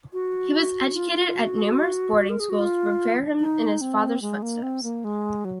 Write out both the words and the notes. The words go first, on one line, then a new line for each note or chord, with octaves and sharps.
He was educated at numerous boarding schools to prepare him in his father's footsteps.
F#4
F4
F#4
A#4
G#4
F#4
F4
D#4
C4
G#3
A#3
C4
A#3
G#3
F#3